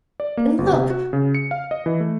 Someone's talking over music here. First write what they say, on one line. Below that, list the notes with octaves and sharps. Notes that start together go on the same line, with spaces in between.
And look!
D5
A#3
G1
C3
F#4
C#3
C#7
F5
D#5
E3
A3